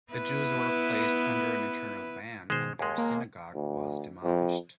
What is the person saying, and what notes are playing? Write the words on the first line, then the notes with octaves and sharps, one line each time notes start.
The Jews were placed under an "eternal ban" and their synagogue was demolished.
B3 E4 B4
B2 D#3 G#3 C5
D#2 G#3 G#5 C6
A#3
D2
F2